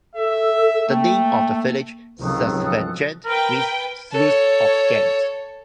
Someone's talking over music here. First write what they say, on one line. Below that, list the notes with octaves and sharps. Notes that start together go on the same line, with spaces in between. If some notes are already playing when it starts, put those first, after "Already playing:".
The name of the village, "Sas van Gent", means "sluice of Ghent".
A4 E5
A3 A#3 G5
C#2 C3 D#3 F3 F#3 A4 D#6 F#6
A#4 B4 G5
A4 C#5